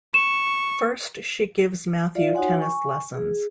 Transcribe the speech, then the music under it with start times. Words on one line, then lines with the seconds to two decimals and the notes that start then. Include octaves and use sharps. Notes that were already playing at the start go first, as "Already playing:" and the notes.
First she gives Matthew tennis lessons.
0.14 C#6 E7
2.15 F4 D5 E5 F5
2.34 D#4 F#4 C#5 F#5 G#5 C6
2.59 G#5 C#6
3.14 G#4